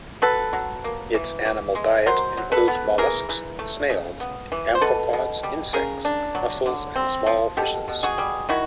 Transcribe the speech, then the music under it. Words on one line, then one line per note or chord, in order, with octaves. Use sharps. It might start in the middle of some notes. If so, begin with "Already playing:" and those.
Its animal diet includes mollusks, snails, amphipods, insects, mussels and small fishes.
F#3 A4 B4
F#3
A#3
E3
E3
G#3
F#3 A#4 C5
F#3
A4 B4
B3
E3 G#4 A#4
E3
A3
C#3
B3
E3
C5
B2 A4 B4
B2
G3
C#3 G#4 A#4
D4
F#3
D3
C4
F3
B2 G4 A4
B2
F#4 G#4
G3
D#3 E4 F#4